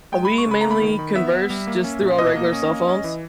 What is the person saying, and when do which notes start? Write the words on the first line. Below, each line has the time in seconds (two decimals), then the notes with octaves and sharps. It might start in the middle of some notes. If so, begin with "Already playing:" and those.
we mainly converse just through our regular cell phones.
0.12 G#3 G5
0.25 G#3 B5
0.38 C#6
0.47 C#3 B5
0.61 A#3 A#5
0.71 B5
0.81 D#3
0.99 D#3
1.16 B3 E5
1.32 B3
1.50 G3
1.67 A#3
1.84 C#4
2.01 A#2
2.18 B2 D#5
2.36 A#3
2.53 C#4
2.70 A#3
2.87 C#4
3.04 E3